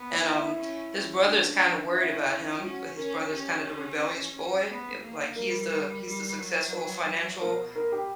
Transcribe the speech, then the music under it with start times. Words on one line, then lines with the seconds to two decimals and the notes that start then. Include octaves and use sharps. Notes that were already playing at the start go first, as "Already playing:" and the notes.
and, um, his brother's kinda worried about him, but his brother's kinda the rebellious boy, ye like, he's the he's the successful financial
Already playing: B3
0.12 E4
0.35 E4
0.58 C#4
0.92 C#4
1.26 D4
1.95 C#4 E4
2.63 C#4 F#4
2.97 C#4 A#4
3.14 A#4
3.31 C#4 G4
4.68 B3
5.02 A#3
5.36 G3 A#4
6.05 G3
6.39 F#3
6.73 B4
7.41 B2 A#4
7.76 A#4
7.92 G4